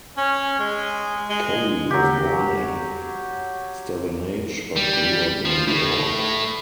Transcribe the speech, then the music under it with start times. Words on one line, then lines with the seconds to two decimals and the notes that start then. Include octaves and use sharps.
Coley was born in Stevenage but grew up in York.
0.17 C#4
0.59 G#3
1.30 G#3
1.91 F#3 G4
4.76 G3
5.45 F3
5.68 A2